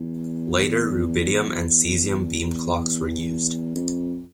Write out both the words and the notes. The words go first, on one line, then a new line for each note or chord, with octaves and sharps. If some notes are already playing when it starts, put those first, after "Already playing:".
Later rubidium and cesium beam clocks were used.
Already playing: E2
E2
F2